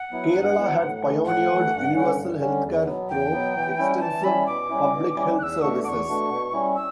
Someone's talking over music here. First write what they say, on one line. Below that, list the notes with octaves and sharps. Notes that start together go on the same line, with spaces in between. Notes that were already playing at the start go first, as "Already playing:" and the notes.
Kerala had pioneered Universal health care through extensive public health services.
Already playing: F#5
F#3 B3 E4
G2
F#3 B3 E4
A2
E3 A3
A2 F#5
E3 A3
G2
D3 G3 C#4
G2
D3 G3 C#4
E2
B2 F#3 B3
E2 G5
B2 F#3 B3
E3
G3 C#4 E4
E3 A5
G3 C#4 E4 B5
B2 D6
G3 C#4 E4
B2
G3 C#4 E4
E2 E6 F#6
B2 A3 D4 F#4 C#6
E2 C#6 D6
B2 A3 D4 F#4
B2
G3 C#4 E4
E6